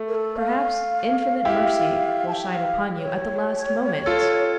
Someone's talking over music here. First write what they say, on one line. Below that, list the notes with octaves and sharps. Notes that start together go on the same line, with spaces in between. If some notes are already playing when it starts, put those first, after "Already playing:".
Perhaps Infinite Mercy will shine upon you at the last moment!
Already playing: A3
A#4
A4
F5
E4 G4
A5
G5
G5
F5
C#5
F4 A4